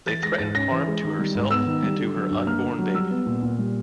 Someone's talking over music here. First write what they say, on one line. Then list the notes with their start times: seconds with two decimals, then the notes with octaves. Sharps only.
They threatened harm to herself and to her unborn baby.
0.07 E3 A6
0.23 G#3 A#6
0.38 G#2 A6
0.55 C#4 A#6
0.72 E3
0.87 G#3
1.03 D#3
1.19 G3
1.35 G#2
1.51 B3 E6
1.66 D#3
1.83 G3
1.99 D3
2.15 F#3
2.30 G2
2.46 A#3 F6
2.63 D3
2.78 F#3
2.94 G3 E6
3.10 B3
3.26 A#2
3.42 A#2
3.59 G3